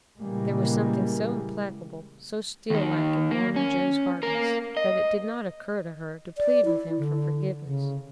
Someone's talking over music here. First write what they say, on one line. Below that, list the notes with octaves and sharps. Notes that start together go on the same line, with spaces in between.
There was something so implacable, so steel-like in Mormon Joe's hardness that it did not occur to her to plead with him for forgiveness.
A#2 C#3 E3 G3 G#3 A#3
D#2 D#3
A#3
C#4
A#3 A#4
D#5
D5
E4
D3
C#3